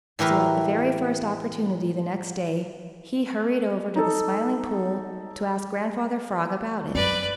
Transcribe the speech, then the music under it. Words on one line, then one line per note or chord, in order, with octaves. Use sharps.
So at the very first opportunity the next day, he hurried over to the Smiling Pool to ask Grandfather Frog about it.
A2 E3 G4 A#4 B4
D#4 A4
F#2 B4 D5